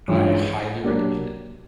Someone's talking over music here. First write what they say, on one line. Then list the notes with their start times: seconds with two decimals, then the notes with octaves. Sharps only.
I highly recommend it
0.08 G2 E3 G#3 C#4 F4
0.83 F#3 A#3 D4 G4 A#4